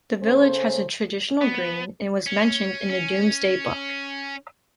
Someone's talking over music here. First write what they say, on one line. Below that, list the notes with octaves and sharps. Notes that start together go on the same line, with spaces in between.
The village has a traditional green and was mentioned in the Domesday Book.
C#3 C#4 A4 C5
B3
C#4
C#4